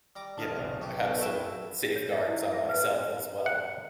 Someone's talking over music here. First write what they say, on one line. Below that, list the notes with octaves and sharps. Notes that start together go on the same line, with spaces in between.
you know, have some safeguards on myself as well.
G3 A#5 D6
D3 F3 A#4 D#5 A5 F6
B1 C3
B2 G4 C#5
A3 A4 B4
E4 F#4 E5 G5 A5 E6
C#5
D#5
E4
E5
B4
F#5